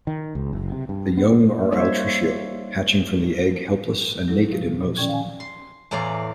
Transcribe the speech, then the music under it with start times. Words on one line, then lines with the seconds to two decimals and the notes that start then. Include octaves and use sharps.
The young are altricial, hatching from the egg helpless and naked in most.
0.07 D#3
0.35 C#2
0.53 F#1
0.72 C3
0.89 G2
1.17 B3
1.71 G3 A#3 D#4 C5 C#5 E5
4.28 F#3 E4 A4
4.53 B2 F3
4.81 A#2
4.97 D#3 C#4 D5 G5 C#6 G#6
5.09 F5 G#5
5.40 C6
5.91 E2 A2 E3 D5 F5 A#5